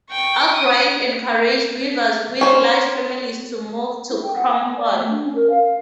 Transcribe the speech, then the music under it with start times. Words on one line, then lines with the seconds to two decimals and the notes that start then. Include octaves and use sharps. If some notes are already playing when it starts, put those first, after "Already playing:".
Arkwright encouraged weavers with large families to move to Cromford.
0.11 G5 C#6
0.54 D#6
2.41 C#4 C5
4.10 E4
4.23 G5
4.35 F#5
4.50 G#5
4.63 B3
4.77 D5
4.94 A3
5.09 D4
5.23 C#4
5.35 A#4
5.49 F5